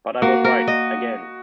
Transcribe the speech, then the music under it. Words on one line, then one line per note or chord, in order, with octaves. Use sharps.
But I was right - again!
A#3 F#4
A#4
D#5